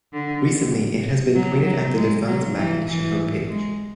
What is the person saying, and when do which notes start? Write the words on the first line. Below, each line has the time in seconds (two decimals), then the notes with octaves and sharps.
Recently, it has been pointed at the defunct MacEdition homepage.
0.13 D3
1.35 F#3
1.66 F#3
1.96 G#3
2.27 F#3
2.57 E3
2.88 E3
3.49 G#3